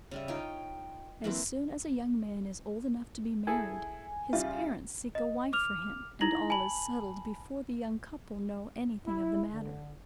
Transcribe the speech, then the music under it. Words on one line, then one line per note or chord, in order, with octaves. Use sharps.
As soon as a young man is old enough to be married, his parents seek a wife for him, and all is settled before the young couple know any thing of the matter.
C#3 G3 E5
D#4 F4 C#5 G5
E3 F#3 A#3 C4 E4
E4 G#4 A4 G#5
C#3 G3 F4 E5
D#5
D6 F6 F7
D#4 E4 A#5 A#6 F#7
G#5 A5 B5 F#7
E4
D3